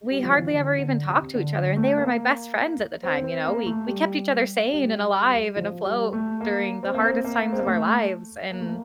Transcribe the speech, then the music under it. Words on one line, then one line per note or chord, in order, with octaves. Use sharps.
we hardly ever even talked to each other, and they were my best friends at the time, you know? We we kept each other sane and alive and afloat during the hardest times of our lives, and
G3
F3
E3
D3
D3
C3
D3
D3
A3
A#3
C4
C4
A#3
A3
G3
G3
G3
F3
G3
A3
A#3
C4
A#3
C4
A#3
C4
A#3
A3
A#3
A3
A#3